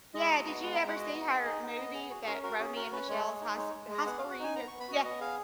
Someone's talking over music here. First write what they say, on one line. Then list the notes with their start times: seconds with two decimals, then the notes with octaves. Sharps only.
Yeah. Did you ever see her movie that Romy and Michelle's High S High School Reunion? Yeah.
0.14 G#3 D#5
0.31 F#4
0.47 B3
0.63 G#3 F#5
0.75 G#3 A#5
0.88 F#5
0.96 F#4 D#5
1.13 B3
1.29 G#4
1.45 D#4
1.62 B3
1.78 B3
1.94 G#4
2.11 F#4
2.27 C#4 A#4
2.43 F#4 A#4
2.59 C#4 G#4
2.76 F#4 A#4
2.92 C#4 B4
3.08 G#3 C#5
3.25 G#4
3.41 D#4
3.58 G#3 C#5
3.70 G#3 C#5
3.90 G#4 D#5
4.06 B3 F#5
4.19 F#4 F5
4.31 F#5
4.39 D#4 G#5
4.55 B3 A#5
4.68 B3 C#6
4.80 B5
4.89 F#4 D#5
5.05 B3 D#5
5.21 G#4 F5